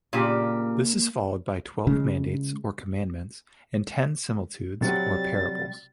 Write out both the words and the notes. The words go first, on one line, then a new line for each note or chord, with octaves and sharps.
This is followed by twelve mandates or commandments, and ten similitudes, or parables.
A#2 C#3 A#3 D4 G4
C#3 G#3
C3 F#3 G3 A6